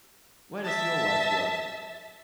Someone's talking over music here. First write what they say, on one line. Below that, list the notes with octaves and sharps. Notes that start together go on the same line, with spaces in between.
Where does your wife work?
E5 A5